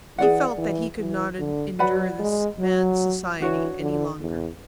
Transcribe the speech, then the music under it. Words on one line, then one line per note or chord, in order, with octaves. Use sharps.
He felt that he could not endure this man's society any longer.
E3 G#4 D5 F#5
E3
E3
D3
F#3 B4 D5 F#5 B5
G#3
F#3
E3 D4 F#4 C#5
D3
E2